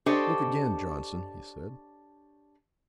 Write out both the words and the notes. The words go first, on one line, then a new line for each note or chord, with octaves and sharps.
"Look again, Johnson," he said.
D4 G4 A4 C5 C#5 D#5